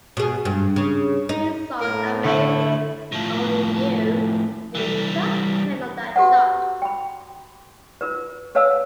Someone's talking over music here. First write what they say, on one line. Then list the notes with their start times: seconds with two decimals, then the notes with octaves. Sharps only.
His songs "Amazing" and "Only You" made top ten on that chart.
0.17 B2 G#4
0.45 G2
0.76 C#3
1.29 D#4
1.81 A2 A#4
2.25 D3 A3 E4
3.12 A2 F3
4.75 E3 G3
6.16 F#4 G4 A4 B4 F#5
6.82 G5 B5
8.01 F4 A#4 B4
8.55 A4 B4 C#5 F5 A5 E6